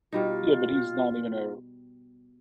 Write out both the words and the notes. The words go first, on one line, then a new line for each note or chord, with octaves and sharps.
Yeah, but he's not even a
B2 G3 D#4 F4